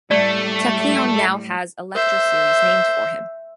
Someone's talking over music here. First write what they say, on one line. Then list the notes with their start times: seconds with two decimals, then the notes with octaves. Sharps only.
Technion now has a lecture series named for him.
0.11 A2 G3 A3 D5
1.95 C5 E5